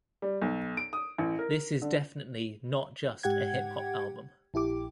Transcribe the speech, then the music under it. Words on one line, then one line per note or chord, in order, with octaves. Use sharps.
This is definitely not just a hip-hop album.
G3
B1
D7
D#6
A1
A#4
D3
G#2 G4 F#5 G5 G#6
A#1 E4 G4 D6